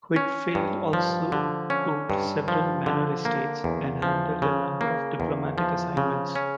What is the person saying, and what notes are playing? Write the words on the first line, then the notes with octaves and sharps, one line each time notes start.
Huitfeldt also owned several manor estates and handled a number of diplomatic assignments.
C#4
G2
F3
D3
C#4
G2
F3
D3
A#3
E2
F3
C#3
A#3
E2
F3
C#3
C#4